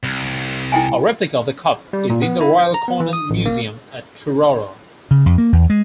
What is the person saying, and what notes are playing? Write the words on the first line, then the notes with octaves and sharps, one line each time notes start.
A replica of the cup is in the Royal Cornwall Museum at Truro.
C2
E4 G5 G#5
G3
A#2
B3
E4
C5
A#5
B3
E3
D#6
A1
A#3
C#3
F2
A#3
E2
G#3